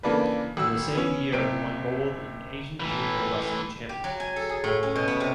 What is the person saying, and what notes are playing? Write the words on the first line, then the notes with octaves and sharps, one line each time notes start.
In the same year he won gold in Asian Junior Wrestling Championships.
C#3 E3 A#3 D4 A4 B4
G#1 F#4 E6
B3 C#4
F#1 C3 C4 D7
A2 E3
G4
F#3
G#5
A4
G#4
A2
C#4
B2
B3
C3